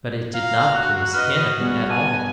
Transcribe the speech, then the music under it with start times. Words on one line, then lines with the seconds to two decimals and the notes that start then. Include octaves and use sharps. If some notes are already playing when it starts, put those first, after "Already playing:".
But it did not please HIM at all.
0.35 F5 A#5
0.75 F#4 F#6
1.13 B4 D#5 F6
1.59 G3 B3 D#4 G#4
1.90 B3 G#5 A5 D#7